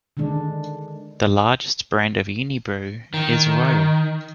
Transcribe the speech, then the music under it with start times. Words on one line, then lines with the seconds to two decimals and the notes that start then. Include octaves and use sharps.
The largest brand of Unibrew is Royal.
0.17 D3 D#3 G#3 D4
3.14 D#3